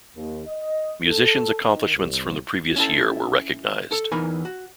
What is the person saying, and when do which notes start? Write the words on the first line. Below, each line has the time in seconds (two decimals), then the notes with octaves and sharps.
Musicians accomplishments from the previous year were recognized.
0.16 D#2
0.47 D#5
1.07 A4
1.67 D#3
1.95 C2
2.76 C#4 E4 A4
3.92 A4
4.12 E2 E3 D#4 A#4 G#5 B5
4.45 F#4